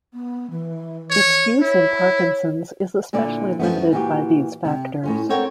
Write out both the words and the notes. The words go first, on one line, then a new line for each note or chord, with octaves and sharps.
Its use in Parkinson's is especially limited by these factors.
B3
E3
C#5
E4 C#5
A#2 D3 E4 D5
F#2 F3 F#3 A3 B3
A#2 E3 F#4 G4
C3
A2 C#4 F4
C4 A4 A#4 C#5 F#5 G5